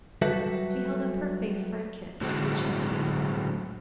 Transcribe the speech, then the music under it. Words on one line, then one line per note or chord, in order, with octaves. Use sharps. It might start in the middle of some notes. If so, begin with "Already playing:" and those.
She held up her face for a kiss, which he gave.
F#3 G3 F#4 A4 B4 E5
A2 D3 F#3 G#3 C4